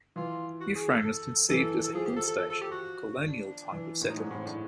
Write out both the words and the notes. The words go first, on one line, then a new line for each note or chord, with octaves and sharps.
Ifrane was conceived as a "hill station" or colonial type of settlement.
E3 F4
F#4
G#4
A4
A4
E3 A4
A4
F3 G#4
G4
A4
A4
A4
A4
G4
F#4
D4
E3
A2
D#4
G#2 D4
A2 C4
A2 D4